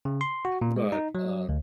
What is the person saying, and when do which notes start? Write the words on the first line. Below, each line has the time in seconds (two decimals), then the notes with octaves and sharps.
but, uh
0.05 C#3
0.21 C6
0.45 F#4
0.61 A#2
0.76 G#3
0.92 D#4
1.15 F#3
1.49 D2